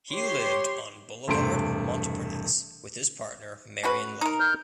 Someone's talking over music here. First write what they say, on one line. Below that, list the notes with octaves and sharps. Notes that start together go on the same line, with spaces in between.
He lived on Boulevard Montparnasse with his partner Marion Leigh.
G4 C#5 C6
E1 G2 C3 A3 C6 D7
C#4 F#4 B4
D#4 A#4
F6 G6